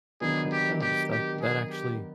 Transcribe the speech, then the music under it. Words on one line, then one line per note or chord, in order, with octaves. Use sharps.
But it does, that that actually
D#3 F#3 B3 D4 G#4
G4
G4
G4
G#4
G4